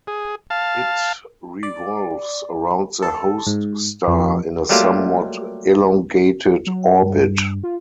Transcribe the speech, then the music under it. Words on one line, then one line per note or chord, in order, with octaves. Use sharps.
It revolves around the host star in a somewhat elongated orbit.
G#4
F5 A5
D5
A4
G#2
F2
F#3 G3 A3 A#3 F4 G4
F#3
G2
F4